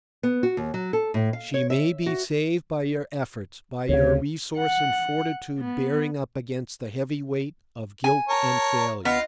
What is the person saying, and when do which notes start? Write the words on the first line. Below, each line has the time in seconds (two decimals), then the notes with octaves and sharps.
She may be saved by your efforts, by your resource and fortitude bearing up against the heavy weight of guilt and failure.
0.23 B3
0.43 F#4
0.57 D#2
0.74 F#3
0.93 A4
1.14 A2
1.33 F5
1.54 C#5
1.70 E5
2.06 F#4
3.89 D2 C#3 C#5
4.57 F#5
5.59 B3
8.04 G#5
8.29 A#4 C#5 A5
9.05 B3 F4 D#5 F5